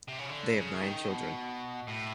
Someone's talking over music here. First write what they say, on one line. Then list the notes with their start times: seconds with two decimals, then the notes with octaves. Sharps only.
They have nine children.
0.08 C3
0.19 C#3
0.29 D3
0.56 C#3
0.82 D#3
1.08 B2
1.87 A2